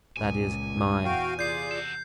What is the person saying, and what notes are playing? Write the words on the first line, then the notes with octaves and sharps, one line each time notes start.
That is, mine.
C#2 A#2 G#5
E2 F#4 F5 G5
C3 F4 G#4 D5 G6 C7
F#4 A4